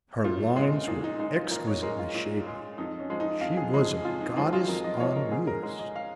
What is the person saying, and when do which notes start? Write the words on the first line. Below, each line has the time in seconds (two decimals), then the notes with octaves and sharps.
Her lines were exquisitely shapely; she was a goddess on wheels.
0.24 A#2 F4
0.56 G#3 C#4
0.87 A#2 D#4
1.04 D#4
1.19 G#3 D#4
1.35 F4
1.51 A#2 A#4
1.67 C#5
1.83 G#3 A#4
1.99 F4
2.14 A#2
2.46 G#3
2.78 F2 D#4
2.99 C#4
3.10 F3 G#3
3.20 D#4
3.41 F2 F5
3.57 G#4
3.73 F3 G#3 D#4
4.04 F2 F4
4.21 D#4
4.36 F3 G#3 D#4
4.53 F4
4.68 F2 A#4
4.84 D#5
5.00 F3 G#3 C#5
5.16 A#4
5.31 G#2 G#4
5.47 A#4
5.63 G#3 A#4
5.79 D#5
5.96 F5